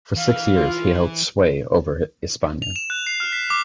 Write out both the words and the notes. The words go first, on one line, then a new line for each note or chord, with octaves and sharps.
For six years he held sway over Hispania.
E3 F5
F4
F7
E7
F#6
C7
F6
B6
D6